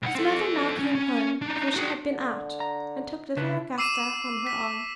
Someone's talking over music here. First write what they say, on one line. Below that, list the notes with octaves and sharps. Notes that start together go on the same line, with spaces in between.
His mother now came home, for she had been out, and took little Augusta on her arm.
C2 F#5
C4 A4
C2 C#4
C#4
D4 D#4
F#4 G#4
D3
A#5
C#3 D4 B4
D6 E6 C7 D#7 E7
B6